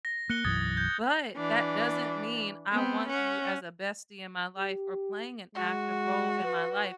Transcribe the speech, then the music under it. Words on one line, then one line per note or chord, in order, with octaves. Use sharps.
but that doesn't mean I want you as a bestie in my life or playing an active role in my life.
A#6
A#3 F#6 C#7 G7
B1 F#2 E3 D#6 G#6 A6
G6 G#6
E3 D4
B3 C4
C#4 F#5
G4
G#3 F#4
B4